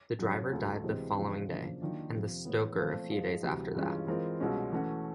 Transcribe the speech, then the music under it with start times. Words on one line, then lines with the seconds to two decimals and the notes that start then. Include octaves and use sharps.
The driver died the following day, and the stoker a few days after that.
0.19 F#2 C#3 F#3
0.52 D2 C#3 F#3 A3
0.83 D2 C3 E3 G#3 C4
1.17 E2 C3 F3 G#3 C#4
1.49 F#2 C#3 F3 A#3 D4
1.81 D#3 F#3 A#3 D4 F4
2.13 F2 C3 F3
2.45 A2 E3 G#3 B3
2.78 A#2 F3 A3 C4
3.11 G#2 F3 G#3
3.43 D2 C3 E3 G3
3.75 G2 E3 G#3 C#4 F4
4.07 E3 G#3 C4 F4 A#4
4.40 C2 B2 G#3 C#4 F4
4.72 E3 A3 C#4 F#4